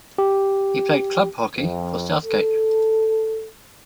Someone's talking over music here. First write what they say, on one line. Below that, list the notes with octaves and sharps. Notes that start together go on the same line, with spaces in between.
He played club hockey for Southgate.
G4
F2
A4